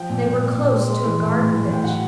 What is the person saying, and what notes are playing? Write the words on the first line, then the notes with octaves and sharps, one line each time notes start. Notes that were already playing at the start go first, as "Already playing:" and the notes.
They were close to a garden-bench.
Already playing: F3 G5
A#2
A#2
A#2
A#2
G#3
G#3
E3
A2
A2
E3
A2
G5
F#3 F#5